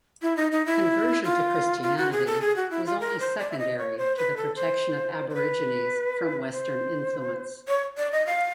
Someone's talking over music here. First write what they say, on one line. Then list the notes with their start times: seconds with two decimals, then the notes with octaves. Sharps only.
Conversion to Christianity was only secondary to the protection of Aborigines from Western influence.
0.22 E4
0.37 D#4
0.52 D#4
0.66 E4
1.24 F4
1.83 F4
1.98 F#4
2.12 G#4
2.27 A4
2.41 G#4
2.56 F#4
2.71 E4
2.86 F4
3.00 A#4
3.20 C5
3.39 D5
3.51 E5
3.59 D#5
3.78 C#5
3.98 C5
4.17 B4
4.37 A4
4.56 C5
5.30 C5
5.34 B4
6.51 C5
7.68 C#5
7.97 D5
8.12 D#5
8.27 F5